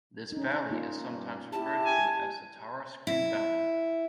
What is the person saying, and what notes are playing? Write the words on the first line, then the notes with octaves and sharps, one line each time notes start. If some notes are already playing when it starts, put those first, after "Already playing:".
This valley is sometimes referred to as the Tara-Skryne Valley.
C#4 D#4
A#3 D#4 F4
G2 A#2
E4 G4 A5
G#5
E4